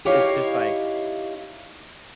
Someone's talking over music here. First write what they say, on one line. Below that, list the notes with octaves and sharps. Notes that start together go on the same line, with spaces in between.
it's just, like,
D#4 E4 G4 C#5 D#5 F5